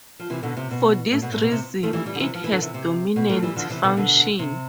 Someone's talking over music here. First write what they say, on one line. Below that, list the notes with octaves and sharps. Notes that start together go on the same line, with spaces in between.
For this reason, it has dominant function.
F3
C3 E3
B2 D3
C3
B2
A2
B2
A2
B2
C3
F3 A3
E3 G3
E3 G3
D3
C3 E3
F3
E3
D3
C3 E3
C3
B2
F3 A3
E3 G3
D3 F3
C3 E3
B2 D3
B2 D3
C3